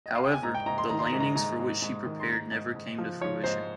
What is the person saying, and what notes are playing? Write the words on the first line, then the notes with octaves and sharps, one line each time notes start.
However, the landings for which she prepared never came to fruition.
D#5
F5
G5
G#5
G#2 A#5
G5
G#2 A#5
C6
D#3 A#5
C6
A#5
G#2
A#5
G#2 A#5
G#2
G#2
D#3
C6
G#2 A#5
G#2
G#2
F3
F3 C#5
G#2 C5